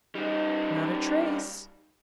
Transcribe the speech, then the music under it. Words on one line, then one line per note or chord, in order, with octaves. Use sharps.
"Not a trace."
G3 D#4